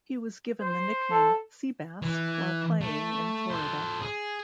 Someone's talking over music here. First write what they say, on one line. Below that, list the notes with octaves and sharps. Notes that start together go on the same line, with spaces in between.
He was given the nickname "Sea-bass" while playing in Florida.
C5
A4
E3
A3
A4 C5
G#4